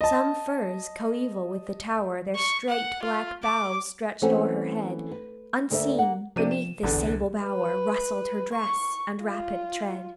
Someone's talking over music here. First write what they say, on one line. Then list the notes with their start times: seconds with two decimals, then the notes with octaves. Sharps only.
Some firs, coeval with the tower, Their straight black boughs stretched o'er her head; Unseen, beneath this sable bower, Rustled her dress and rapid tread.
0.01 D#5 A5
2.35 C#6
2.68 F#5
3.02 F4
3.43 D6
4.22 E3 A3 C4 C#4 F#4 A4
5.11 B4
5.70 D2 D3 A#3 A#4 D5 E5
5.99 A#3 F#5
6.36 C3 F3 D4 D#7
6.51 E7
6.83 A1 E2 D3
6.97 C2
7.43 B4
8.53 C#6
9.23 F4